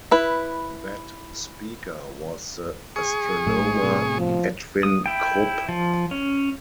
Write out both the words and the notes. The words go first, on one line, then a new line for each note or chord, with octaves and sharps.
That speaker was the astronomer Edwin Krupp.
E4 B4
G#4 C#6
A#1 A2 A3
A2 C3
F3
D#6
E4 G5
F3
C#4